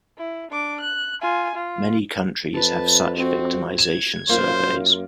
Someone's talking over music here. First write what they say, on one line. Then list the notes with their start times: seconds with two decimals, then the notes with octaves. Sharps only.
Many countries have such victimization surveys.
0.18 E4
0.51 D4 D6
0.80 F#6
1.21 F4 G#5
1.55 F4
2.54 F2 B4 A5
3.17 C4 F#4
3.79 G#6 E7
4.29 F#2 A#3 F4 C5